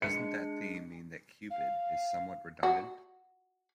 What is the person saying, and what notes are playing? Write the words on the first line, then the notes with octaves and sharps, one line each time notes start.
Doesn't that theme mean that 'Cupid' is somewhat redundant?
G#3 D4 C#7
F5
F#4